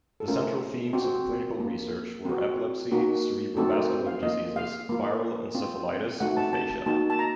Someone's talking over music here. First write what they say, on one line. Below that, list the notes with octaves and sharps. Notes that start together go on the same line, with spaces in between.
The central themes of clinical research were epilepsy, cerebro-vascular diseases, viral encephalitis, aphasia.
A4
A3 C#4 F4 A#4
C4 F#4
A#3 F4
C4 F#4
A#3 D#4 F#4
A3 C4 D#4 F#4 A4
A#4
C5
F5
A#3 F4 D#5
F5
A#3 F4
C4 F4
A3 C4 D#4 F#4 F#5
A5
A5
A5
A#3 D#4 F#4 A5
A5
A#5